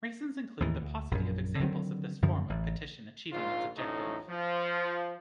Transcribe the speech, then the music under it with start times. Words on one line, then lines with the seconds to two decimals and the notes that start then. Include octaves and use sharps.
Reasons include the paucity of examples of this form of petition achieving its objective.
0.60 D#2 A2 E3
0.82 D2
1.11 A#1 F#2
1.60 D3 D#3 F#3 C4
2.22 F#2 D3 F3
2.50 A1
3.33 A#1 G#2 F4
3.77 A1 D2 A2 C#4 D#4
4.29 F3